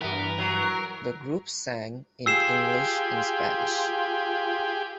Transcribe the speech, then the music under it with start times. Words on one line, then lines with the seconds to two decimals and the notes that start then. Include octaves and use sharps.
The group sang in English and Spanish.
0.01 G2 E3 B3 A#4
0.39 F#3
2.26 F4 G4 G#4 E6 C7 E7